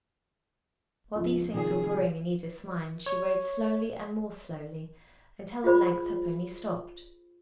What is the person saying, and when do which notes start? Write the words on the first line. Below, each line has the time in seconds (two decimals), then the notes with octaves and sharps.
While these things were brewing in Edith's mind, she rode slowly and more slowly, until at length her pony stopped.
1.15 C#2 F3
1.54 C3 D#3 F3 G#4
3.06 C#5
5.64 F4 G#4 C5 B5